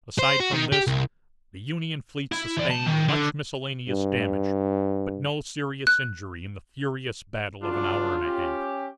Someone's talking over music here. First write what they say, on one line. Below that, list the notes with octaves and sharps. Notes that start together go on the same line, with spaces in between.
Aside from this, the Union fleet sustained much miscellaneous damage, but no serious injury in the furious battle of an hour and a half.
C5
F#4
D#3
G4
C2
E4
E3 D5
C#2 A5
D#3
D3
G2
F#6
C#3 F#3 D4 F4
C#4 G4